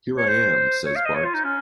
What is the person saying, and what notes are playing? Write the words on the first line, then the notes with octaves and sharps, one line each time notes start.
"Here I am," says Bart.
C#5
C5
C#5
F5
D#5
C#5
F4
D#4
C#4